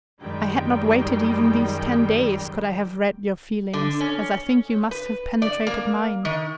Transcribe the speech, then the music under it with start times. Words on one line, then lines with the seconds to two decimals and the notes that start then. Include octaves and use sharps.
I had not waited even these ten days, could I have read your feelings, as I think you must have penetrated mine.
0.20 F#2 D#3 G3 G#3 G5
3.73 D3
4.00 C#4
4.91 B4
5.42 D5
5.67 A#3
6.25 D#3